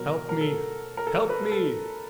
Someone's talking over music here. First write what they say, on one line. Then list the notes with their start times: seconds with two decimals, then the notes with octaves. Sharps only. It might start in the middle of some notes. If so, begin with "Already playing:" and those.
Help me! help me!'
Already playing: B2 F#3 A#4
0.29 A#4
0.41 A4
0.97 A#4
1.07 A4
1.29 B4
1.52 A4